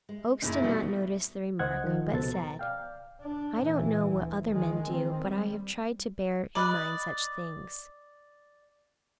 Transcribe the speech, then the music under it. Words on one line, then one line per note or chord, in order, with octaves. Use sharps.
Oakes did not notice the remark, but said: "I don't know what other men do, but I have tried to bear in mind such things."
G#3
F#1 A#2 D#4 E4
B2 G3 A3
C#2 C5 D#5 F#5 G#6
D#3 F3
C#2 B2 A4 C5 A6
A#5
D5 F5 G5
D4
A#2 E3
D2
D#3 G#3
D#3 C4
G3
D5 D#5 B5 F6 F#6